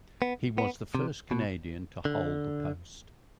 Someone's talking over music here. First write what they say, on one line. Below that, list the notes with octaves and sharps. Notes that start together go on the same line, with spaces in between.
He was the first Canadian to hold the post.
B3
B3
C3
B2
D3